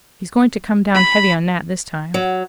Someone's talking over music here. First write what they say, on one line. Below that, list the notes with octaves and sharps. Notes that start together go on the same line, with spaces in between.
He's going to come down heavy on Nat this time.
B5
F#3